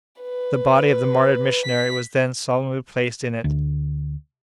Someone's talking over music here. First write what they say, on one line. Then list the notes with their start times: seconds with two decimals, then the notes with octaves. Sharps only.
The body of the martyred missionary was then solemnly placed in it.
0.22 B4
1.65 B6
3.44 D2